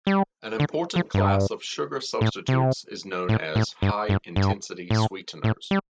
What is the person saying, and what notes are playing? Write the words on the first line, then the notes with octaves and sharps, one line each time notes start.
An important class of sugar substitutes is known as high-intensity sweeteners.
G3
D3
F3
G2
A2
C3
A2
A2
G2
G2
G2
A2
A2
G3